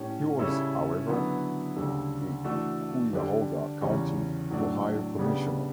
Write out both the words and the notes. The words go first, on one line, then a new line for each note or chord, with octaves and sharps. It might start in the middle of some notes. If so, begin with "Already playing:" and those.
He was, however, a Cuyahoga County, Ohio Commissioner.
Already playing: A2 G3 C#4
C#3 G3 C#4 E4 A4
D3 F#3 B3 E4 B4
D2 C#3 G3 D4 A4
E3 A3 D4 F#4 A4
D3 G3 D4 G4
E2 C#3 G3 C#4
A2 F#3 A3 D4 F#4
C#3 G3 B3 D4 G4